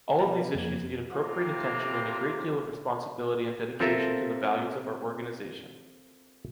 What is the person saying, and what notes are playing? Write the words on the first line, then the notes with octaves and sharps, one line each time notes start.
All of these issues need appropriate attention and a great deal of responsibility and dedication to the values of our Organization.
B2 G3 F4
F2 A#3 G#6
A2 C3 A#3 C4 F4
C4 F4 A4 A#4 E5